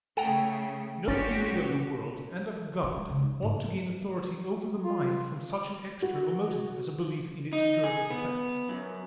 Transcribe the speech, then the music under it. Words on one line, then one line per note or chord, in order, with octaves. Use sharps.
No theory of the world and of God ought to gain authority over the mind from such an external motive as a belief in its curative effects.
C#3 A3 A4 F#5 G5 A#5
G#1 A#2 C#4 F#4 G4 A6
C#4
G#3
C#3
D#4
G#2
F4
F#4
D#4
G#4
B3
F#2